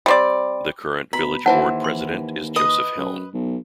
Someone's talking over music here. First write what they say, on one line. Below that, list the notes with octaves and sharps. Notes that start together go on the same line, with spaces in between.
The current Village Board President is Joseph Helm.
G3 C4 D5
B2 A#5 B5
D#2 E3 C5 F#5 A5
C6
B4 D#5 D#6
F#2
B1